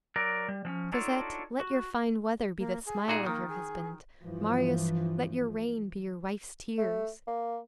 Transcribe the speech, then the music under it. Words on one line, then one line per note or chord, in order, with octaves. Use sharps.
Cosette, let your fine weather be the smile of your husband; Marius, let your rain be your wife's tears.
F#3 A#4 D5
G3
F3 C4 C#4
D4 D#4 F4 F#4 A4 C#5
F#4
A#3
G#4
A#2 D#4 F#4 G#4
D#3 A#3
G#4
G2 E3 F3
A3
A#3